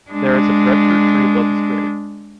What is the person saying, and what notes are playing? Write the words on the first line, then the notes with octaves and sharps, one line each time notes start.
There is a breadfruit tree above his grave.
G#3 D4